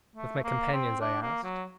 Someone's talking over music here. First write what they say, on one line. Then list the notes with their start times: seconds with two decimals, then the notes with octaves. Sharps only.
"With my companions?" I asked.
0.16 A3
0.44 A#3
0.73 C4
1.01 D4
1.23 A#3
1.44 F#3